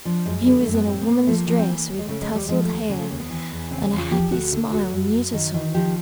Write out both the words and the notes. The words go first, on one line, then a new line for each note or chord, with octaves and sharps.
He was in a woman's dress, with tousled hair and a happy smile new to Sonya.
F3 D4
F#2 G#3
D3 G3
A3
F#2
B3
A2 C4
B3
A2 A#3
F3 A3
A#3
F3 B3
C4
E3 A#3
D#2
G#3
C#3 A3
G#3
D#2
G3
F3 G#3
A3
D#2
C#3 A#3
A3
D#2 A#3
B3
E3
E2
C#3 C4
C#4
E2
F4
F3 G4
D2 F#4
D3
D2 F#4
F#2
F#2
D#3
D#3
F3 G4